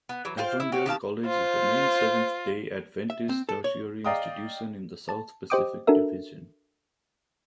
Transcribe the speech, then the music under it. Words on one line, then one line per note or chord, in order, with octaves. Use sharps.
Avondale College is the main Seventh-day Adventist tertiary institution in the South-Pacific Division.
B3
E3 F#3
F4 C5 F5 G5
E4
F#4 G4 C#5
D#3 G4 F5 A5
F4 C5
E5
C4
A4
C#5
D5 D#5 F5 G5 A#5 D#6
A5
G4 C5 D#5 G5 D6 D#6
D4 F#4 A4 A#4 E5